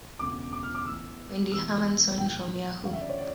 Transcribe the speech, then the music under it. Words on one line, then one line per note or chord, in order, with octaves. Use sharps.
Wendy Hermanson from Yahoo!
E1 D2 C#3 D6
D6
F6
D6
A1 A2 E3 E6
E1 E2 E3 E6
A#1 A2 E3 G5
D2 C#3 E3 F5
E5
D5
C#5
D5